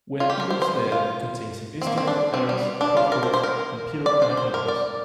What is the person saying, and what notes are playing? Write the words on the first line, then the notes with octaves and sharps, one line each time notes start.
"Where Eagles Dare" contains historical errors, plot holes, and period anachronisms.
F4
G4
A#4
C5
C5
F4
C4
A#3
C4
D4
C4
G3
D4
F4
A#4
C5
C5
A#4
D5
C5
C5
A#4
D5